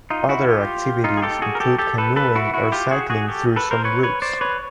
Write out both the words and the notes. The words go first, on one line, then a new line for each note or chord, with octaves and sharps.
Other activities include canoeing or cycling through some routes.
D#4 F4
E4 F#4
F4 G4
D#4 F4
G#4
G4 A4
F#4 G#4
A#4
G4 A4
G4 A4
A4 B4
A4 B4
E4 F#4
E4 F#4
F4 G4
F#4 G#4
F#4 G#4
G4 A4
A4 B4
A#4 C5
B4 C#5
B4 C#5
C5 D5
B4 C#5